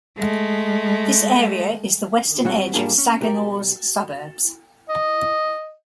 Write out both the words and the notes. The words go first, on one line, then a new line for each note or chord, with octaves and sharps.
This area is the western edge of Saginaw's suburbs.
G#3 A3
B1 G3 C4 F#4 C#5 F#5
G#2 G3 A#3 D4 F4 G#4
C#4
B1 G4 A#4 D5
D#5